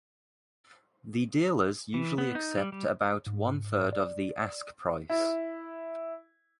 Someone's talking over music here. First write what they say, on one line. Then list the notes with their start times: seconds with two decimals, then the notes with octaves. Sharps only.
The dealers usually accept about one third of the ask price.
1.94 E3
2.18 B3
2.35 D#4
2.57 G3
2.72 G3
3.27 G#2
3.93 D5
5.09 E4